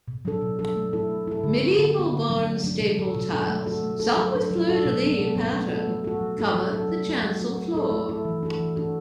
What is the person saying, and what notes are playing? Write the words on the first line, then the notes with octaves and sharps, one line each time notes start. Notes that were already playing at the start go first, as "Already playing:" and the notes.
Medieval Barnstaple tiles, some with fleur-de-lys pattern, cover the chancel floor.
B2
F#3 D4 A4
B2
F#3 D4 A4
A3
E4 A4
A3
E4 A4
D3
B3 F#4
D3
B3 F#4
D3
F#3 D4
D3
F#3 D4
B2
F#3 D4 A4
B2
F#3 D4 A4
A3
F#4 A4
A3
F#4 A4
F#3
D4 A4
F#3
D4 A4
B2
F#3 B3 D4
B2
F#3 B3 D4
A3
F#4 A4
A3
F#4 A4
F#3
D4 F#4 A4
F#3
D4 F#4 A4
F#3
A3 F#4
F#3
A3 F#4
A3
E4 A4
A3
E4 A4
E3
D4 F#4 A4
E3
D4 F#4 A4